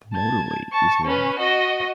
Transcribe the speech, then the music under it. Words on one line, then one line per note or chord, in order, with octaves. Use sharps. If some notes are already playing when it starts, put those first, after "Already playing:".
The motorway is long.
A5 G#6
A5 C#6
C#4 B4
F#4 D#5